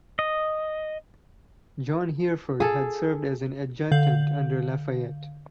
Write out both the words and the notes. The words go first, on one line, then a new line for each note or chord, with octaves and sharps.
John Hereford had served as an adjutant under Lafayette.
D#5
G#4 A4
D3 F5 G6 F#7